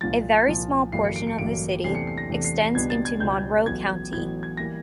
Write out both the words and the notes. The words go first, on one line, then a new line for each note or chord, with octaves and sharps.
A very small portion of the city extends into Monroe County.
C2 A#2 F3 A6
C2 A#2 F3
A1 G2 D3 F#3 A#3 C7
C#7
D7
C#7
A1 G2 D3 F#3 A#3 D7
E2 C3 E3 A3 D4 C7
C#7
C7
A#6
E2 C3 E3 A3 D4
C7
C7
C#2 B2 G3 B3 D4 G#6
A6
G#6
C#2 B2 G3 B3 D4 G6
A1 A2 F#3 B3 G#6
A1 A2 F#3 B3 G#6
G#6
E3 G3 A#3 A#6